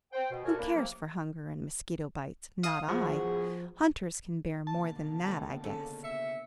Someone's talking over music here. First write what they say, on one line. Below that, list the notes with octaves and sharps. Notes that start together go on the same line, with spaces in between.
Who cares for hunger and mosquito bites? Not I. Hunters can bear more than that, I guess.
C5 G5
B2
A3 F#4 A#4 C#5 D5 G#5
A#3 D4 E4
C3 F3 F#3 A#3
F5 D#6
F3 B3 F#4 G#4
B2 D3 A#3 A5
C#2 A2
C#3 C#4 A4
E5 C#7